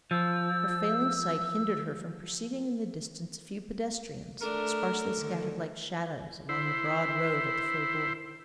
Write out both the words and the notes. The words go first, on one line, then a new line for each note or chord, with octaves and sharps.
Her failing sight hindered her from perceiving in the distance a few pedestrians, sparsely scattered like shadows, along the broad road of the faubourg.
F3 E6
A3 D4 A4 A#4
D3 D#3
E4 C5